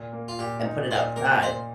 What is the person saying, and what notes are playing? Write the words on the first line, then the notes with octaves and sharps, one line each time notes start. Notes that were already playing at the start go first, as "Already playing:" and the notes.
and put it outside,
Already playing: A#2
A#3
F4
A#2 G4
D#4
A#2 C5
A#3 A#4
A#2 C5